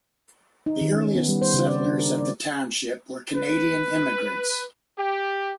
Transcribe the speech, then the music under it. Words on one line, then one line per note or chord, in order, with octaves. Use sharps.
The earliest settlers of the township were Canadian immigrants.
D#4
D#3
C#4
B3
G3
C5
C#3
D5
D4
A#4
D5
B4
G4